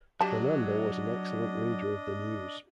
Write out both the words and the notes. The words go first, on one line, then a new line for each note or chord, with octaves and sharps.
Fernando was an excellent reader of the news.
F#3 D4 G4 D#5 A5